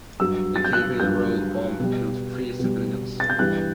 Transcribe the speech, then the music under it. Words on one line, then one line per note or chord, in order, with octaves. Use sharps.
The Cavehill Road bomb killed three civilians.
G2 F#3 E6
A6
G6
F#6
G2 F#3 G6
B2 G3
B2 G3
A6
G6
G2 E3 G3 F#6